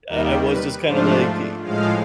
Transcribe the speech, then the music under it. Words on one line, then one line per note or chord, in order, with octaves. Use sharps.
I I was just kinda like i
D#2 D#3 G3 A#4
B4
G#2 F3 A3 D4 F4 C5
A2 F3 G#3 F5